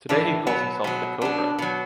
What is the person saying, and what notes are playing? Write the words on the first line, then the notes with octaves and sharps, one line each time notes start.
Today he calls himself "The Cobra".
A2 E3 D4
B2 F#3 B3
B2 F#3
B2 F#3 D4
B2 F#3